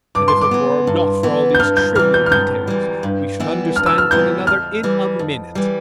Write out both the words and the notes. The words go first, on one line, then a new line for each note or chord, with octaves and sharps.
And if it were not for all these trivial details, we should understand one another in a minute.
G2 D6
C6
D6
E3 B3
G2
E3 B3
G6
G2 F6
G6
E3 G3 F6
G6
F6
G2 G6
E3 G3
G2
E3 G3 B3 E4
G2 F6
E6
F6
E3 G3 B3 E4 G6
F2 F6
E3 G3
F2
E3 G3